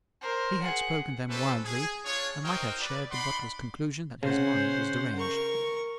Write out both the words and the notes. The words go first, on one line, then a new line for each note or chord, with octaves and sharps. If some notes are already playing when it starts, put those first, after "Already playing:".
If he had spoken them wildly, I might have shared the butler's conclusion that his mind was deranged.
A#4 C5
G#4 F#5
C#4 E4 G4 A4 B4 C5
G#4
D4 F4 G#4 C#5
D#4 F#4 A#4 C5 D#5 G5
B4 D5
D#4 D5 F#5 B5 C6
C#3 C#4 C5 F#5
A#4 C#6